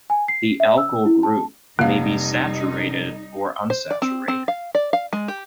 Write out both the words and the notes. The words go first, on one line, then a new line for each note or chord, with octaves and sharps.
The alkyl group may be saturated or unsaturated.
G#5
C7
E5
E6
E4
A5
F1 G3 A#3 D#4 F5
C5
D5
C4
C4
F5
D5
F5
G#3
G4